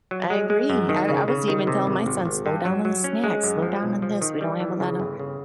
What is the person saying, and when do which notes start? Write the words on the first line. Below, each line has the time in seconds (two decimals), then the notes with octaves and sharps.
I agree. I I was even telling my son, “Slow down on the snacks, slow down on this. We don't have a lotta
0.11 F#3
0.30 G#3
0.50 G#3
0.70 F#2
0.89 D#3
1.09 C#3
1.28 C#3
1.48 D#3
1.67 C3
1.87 G#1
2.06 G#1
2.25 G#1
2.46 G2
2.65 F#3
2.85 F#3
3.04 C#4
3.24 G#3
3.44 F#2
3.62 F3
3.83 B1
4.02 F3
4.22 D#3
4.41 G3
4.60 E3
4.80 C#3
5.00 G1
5.19 C#3